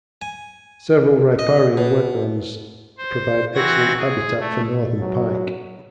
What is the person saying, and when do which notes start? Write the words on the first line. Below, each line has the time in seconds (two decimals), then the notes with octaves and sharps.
Several riparian wetlands provide excellent habitat for northern pike.
0.22 G#5
1.39 D#5
1.77 B2
2.98 C5
3.54 E3 C4 F#4 G#6 A#6
3.97 G#4
4.40 A3
4.99 F#3